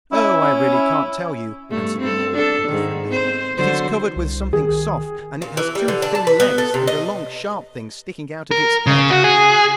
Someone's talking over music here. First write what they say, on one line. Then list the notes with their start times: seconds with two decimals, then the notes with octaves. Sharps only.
'Oh, I really can't tell you,' answered the mole, indifferently; 'it is covered with something soft, and it has two thin legs, and a long sharp thing sticking out of its head.'
0.12 C#4 E4
0.41 C#4
0.73 E4
1.70 G2 A3
2.01 C4 A4
2.33 D4 A4
2.67 G#2 D#3
3.08 C4 C5
3.57 D3 F#3 C5
4.16 C2
4.53 D#3 G#4
5.42 A#2
5.57 E3
5.75 G3
5.88 D3
6.02 D4
6.15 A5
6.27 B4
6.40 B3
6.58 A4
6.74 C3
6.87 D#5
8.51 A#4
8.87 C#3
9.11 F#4
9.24 G#4